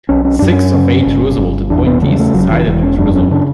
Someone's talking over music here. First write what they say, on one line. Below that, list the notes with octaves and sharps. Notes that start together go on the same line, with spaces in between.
Six of eight Roosevelt appointees sided with Roosevelt.
B1 C#4
C#4
F#2 D4
C#4
C#3
G1
G1
E2 D4
B3
C#3 A3
G3
A3
E1 F#3
E3
E1 E3
C#4
F#2 D4
C#4
C#3 D4